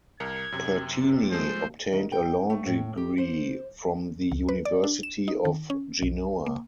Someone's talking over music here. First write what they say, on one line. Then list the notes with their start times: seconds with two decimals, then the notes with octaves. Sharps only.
Pertini obtained a Law degree from the University of Genoa.
0.20 C2 A#4 G#6 C#7
0.52 F#2 C3
1.31 F3 G#3 A3 C5
1.93 D#3
2.12 G5
2.50 A3
2.66 A2
2.97 G4
3.18 C5
4.32 C#2
4.49 B4
4.65 D5
4.84 D4
5.03 E7
5.28 D#4
5.45 D#3
5.70 C#4
6.02 B1
6.46 A#3